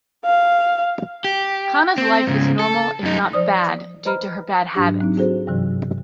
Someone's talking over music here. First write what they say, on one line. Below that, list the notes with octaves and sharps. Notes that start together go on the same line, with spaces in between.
Kana's life is normal if not bad due to her bad habits.
F5
G4
C4
G#2 C#3
A4
F#2 D#4
F3 C5 D5 D#6
B4 C5 D#5 A#5 B5 F6
G#2 F#3 D4 G4
F#3 C4 D#4
F#4 G#4 A4 C5
G2 C3 E3 F#3